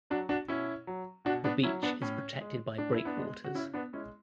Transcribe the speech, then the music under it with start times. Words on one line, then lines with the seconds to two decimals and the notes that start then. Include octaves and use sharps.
The beach is protected by breakwaters.
0.10 F#3 D4 F#4
0.29 D4 F#4
0.48 B2 C#4 E4
0.87 F#3
1.25 B2 D4 F#4
1.44 B3 D4
1.63 F#3 C#4 E4
1.83 B3 D4
2.02 A2 C#4
2.41 G#3
2.78 A2 D4
2.93 E4
3.05 B3 D4
3.17 G#3
3.44 F#4
3.54 C#3 C#4 E4
3.74 B3 D4
3.93 G#3 C#4 E4